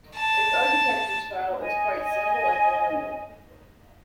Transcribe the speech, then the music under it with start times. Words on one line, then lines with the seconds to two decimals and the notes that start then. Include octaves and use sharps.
Its architecture style is quite simple and colonial.
0.16 A5
1.60 D#5 G#5